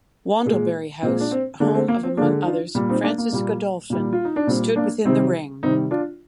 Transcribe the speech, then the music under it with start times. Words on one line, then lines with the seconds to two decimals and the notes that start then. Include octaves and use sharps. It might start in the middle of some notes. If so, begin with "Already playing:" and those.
Wandlebury House, home of among others, Francis Godolphin, stood within the Ring.
0.46 A#2 G#3
1.03 A#2 G#3 C4
1.20 D4
1.31 C4
1.60 D3 G#3 A#3 D4
1.74 C4
1.88 A#3
2.03 C4
2.17 G#3 A#3 D4
2.21 D3
2.42 D#4
2.46 D4 F4
2.75 A#2 G3
2.89 C4 D#4
3.03 A#3 D4
3.18 A#3
3.33 A#2 G3
3.90 A#2 G3
4.13 F4
4.25 D#4
4.36 D4
4.47 A#2 G3 C4
4.76 A#3 D4
5.05 C3 D#3 G3 C4 D#4
5.63 C3 D#3 G3 C4 D#4
5.91 D4 F4